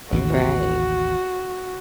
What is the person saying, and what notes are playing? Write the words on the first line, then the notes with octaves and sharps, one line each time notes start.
Oh, right.
A1 D#2 C#3 F#4